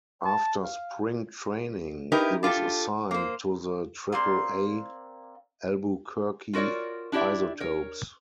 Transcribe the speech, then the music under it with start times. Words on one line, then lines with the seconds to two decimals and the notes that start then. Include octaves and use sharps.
After spring training, he was assigned to the Triple-A Albuquerque Isotopes.
0.25 A5
0.64 F5
2.12 D#4 E4 G4 A#4 B4
2.43 D4 F4 G4 A4
3.11 A#3 C5
4.12 A#3 C4 D5 C6
6.53 F4 F#4 A#4 C#5 D5
7.12 D4 E4 G4 D5 E5
7.60 A#4 C#5